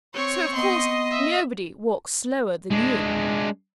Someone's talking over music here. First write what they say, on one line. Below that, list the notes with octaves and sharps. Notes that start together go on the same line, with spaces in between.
So of course Nobody walks slower than you.'
C4 C#5 C#6
B3 D#5 C6
E5
G#3 D4